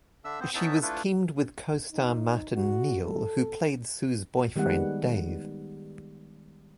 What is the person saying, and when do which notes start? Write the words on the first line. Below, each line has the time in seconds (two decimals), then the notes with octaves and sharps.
She was teamed with co-star Martin Neil, who played Sue's boyfriend Dave.
0.25 D3 D4 E5 E6
0.40 B3 C4 C5
0.55 B3 C#4 D#4 E4 E5 A5
0.82 A3 D4 E4 F4 A4 B4
1.91 D#4
2.54 F#4
3.04 A4
4.56 D#3 G3 G#3 B3 F#5